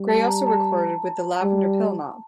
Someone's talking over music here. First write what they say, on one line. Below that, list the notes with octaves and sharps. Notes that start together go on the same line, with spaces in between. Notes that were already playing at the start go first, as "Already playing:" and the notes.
Gray also recorded with the Lavender Pill Mob.
Already playing: G3
A5
A5
A#5
A5
G3